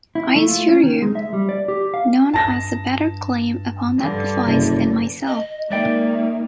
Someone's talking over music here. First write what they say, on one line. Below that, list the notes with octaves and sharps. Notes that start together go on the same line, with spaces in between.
I assure you, none has a better claim upon that device than myself.
E4
A3
F4
C#4
D#3
G#3
E5
G3
D5
G4
F5
G2 A5 A#6
G2 D3
F#1 C3
D#5
D#3 G#3 A#3 D5 E5 G5